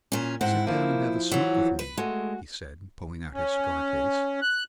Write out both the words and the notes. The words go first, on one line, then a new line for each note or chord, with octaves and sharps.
"Sit down and have a smoke with me," he said, pulling out his cigar case.
A#2 C#4
G#2 C4 E4 F#5
F3 A#3
E3 F#3 C#4
B4
G#3 A3 F#4 G#5
C#4
F#6